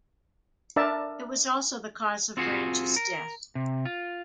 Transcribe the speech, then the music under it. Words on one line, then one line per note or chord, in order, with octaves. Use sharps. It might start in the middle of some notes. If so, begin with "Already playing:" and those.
It was also the cause of Branch's death.
D4 A#4 D5 E5 A5
C4 F4 F#4 G#4 C5
A#4
C3
F4